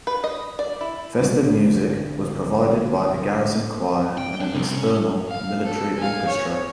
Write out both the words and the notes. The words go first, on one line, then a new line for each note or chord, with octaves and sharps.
Festive music was provided by the garrison choir and an external military orchestra.
B4
D#5
D5
E4
B1 D3 G3 D4
G5
D4
C2
C#4
F5
A4
F5 G#5
C#5